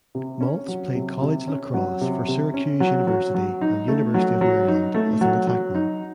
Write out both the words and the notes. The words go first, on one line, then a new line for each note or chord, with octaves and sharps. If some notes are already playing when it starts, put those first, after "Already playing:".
Maltz played college lacrosse for Syracuse University and University of Maryland as an attackman.
C3
C#4
F#3
C3
C3
C#4
F#3
C3
C3
C#4
F#3
F#3
F#3
D#4
A3
F#3
F#3
D#4
A3
F#3
F#3
D#4